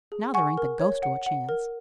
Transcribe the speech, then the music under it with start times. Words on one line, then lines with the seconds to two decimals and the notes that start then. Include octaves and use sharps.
Now thur ain't the ghost o' a chance.
0.12 G#4
0.34 F#5 G#5 C#6
0.57 A#4
0.80 C#5
1.03 F#5
1.26 F#5
1.49 A#4